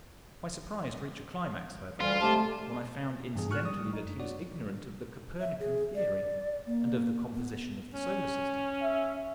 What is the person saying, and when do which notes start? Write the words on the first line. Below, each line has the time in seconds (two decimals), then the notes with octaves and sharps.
My surprise reached a climax, however, when I found incidentally that he was ignorant of the Copernican Theory and of the composition of the Solar System.
2.00 D2 E3 G3 F4
2.20 C3 G#3 A3 G4 A5
3.35 G2 E3 B3 G#4
3.50 G#2 F#4 C#6 F6 F#6
3.65 G3 D#6
3.93 D#4
4.05 F#2 D4
4.20 F#4 C#5 D5
5.40 E5
5.60 G#4
5.95 D5
6.66 A#3
7.35 B3
7.94 C#4
8.82 E5